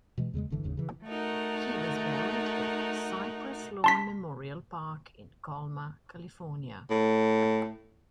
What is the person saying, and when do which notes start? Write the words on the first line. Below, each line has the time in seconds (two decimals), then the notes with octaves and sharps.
He was buried at Cypress Lawn Memorial Park in Colma, California.
0.18 B2 E3 G#3
0.34 E2 C#3 F#3 G#3
0.50 F1 G2 D3 E3
0.64 F#1 D#2 G#2 C#3
0.77 C#3 E3
1.04 A3 D#4 F#4 A#4
3.84 A5 C6 B6
6.91 A2